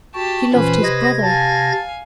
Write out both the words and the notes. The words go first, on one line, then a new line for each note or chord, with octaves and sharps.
She loved his brother.
F#4 G4 A5
A#2 E3 C#4 B4 C5
C3 D#5 G#6 A#6
F5 G#5 A5